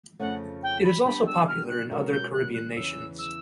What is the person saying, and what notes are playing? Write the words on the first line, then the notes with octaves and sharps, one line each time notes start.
It is also popular in other Caribbean nations.
F2 C#3 F3 A3 C#4 F#5
G5
B5
G3 B3 D4 G4 B5
E6
F6
F#6
B2 G#3 C#4 F#4 A#4
G6
F#6
F#6
E2 C#3 E3 E6
E6